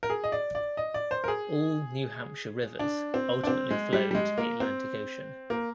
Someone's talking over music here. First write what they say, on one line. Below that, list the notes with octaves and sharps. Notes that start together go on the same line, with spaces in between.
All New Hampshire rivers ultimately flow to the Atlantic Ocean.
A#4
G#4
D#5
D5
D5
D#5
D5
C5
A#4
G#4
D4
C4
D4
C4
G#3
G3
G3
G#3
A#3
C4
A#3